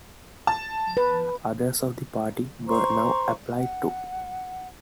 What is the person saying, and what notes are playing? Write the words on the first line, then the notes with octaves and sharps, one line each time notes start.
Others of the party were now applied to.
A5
B4
C5 A#5 C6 C#6
F#5